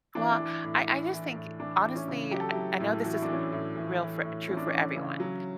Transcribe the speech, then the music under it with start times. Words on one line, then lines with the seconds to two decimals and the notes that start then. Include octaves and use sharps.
Well, I I just think, honestly, I I know this isn't real for true for everyone.
0.15 E3 D4
0.23 E4
0.31 D4
0.40 E3
0.64 A2
0.88 E3
1.12 E3
1.36 A2
1.60 E3 D4
1.85 E3
1.96 C#4 E4
2.08 C#3
2.31 F#3 G4
2.41 A4
2.49 E4 G4
2.56 F#3
2.80 A2
3.03 E3 F#4
3.14 E4
3.22 D4
3.28 E3 C#4 E4
3.52 A2
3.76 E3
4.00 E3
4.24 A2
4.48 E3 C#4
4.57 D4
4.66 C#4
4.72 E3
4.96 C#3
5.20 F#3